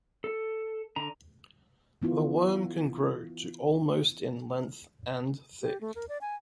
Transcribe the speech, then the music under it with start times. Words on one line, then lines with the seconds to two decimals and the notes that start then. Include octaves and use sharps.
The worm can grow to almost in length and thick.
0.24 A4
0.96 D3 A#5
2.02 E3 B3 E4 F4
5.62 G4
5.81 A3
5.95 A#4
6.09 D5
6.21 G#5